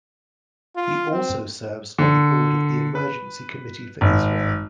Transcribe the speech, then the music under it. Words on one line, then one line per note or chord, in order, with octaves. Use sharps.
He also serves on the board of the Emergency Committee for Israel.
F4
C4
D3
B4
G#1